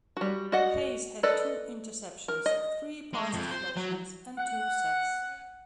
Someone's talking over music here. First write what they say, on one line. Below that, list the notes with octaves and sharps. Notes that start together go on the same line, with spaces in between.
Hayes had two interceptions, three pass deflections, and two sacks.
G3 F#4
F#4 D5 D#5 F#5
A4 B4 D5 D#5
A#4
D#5
G#3
F2
C5
F#3
F#5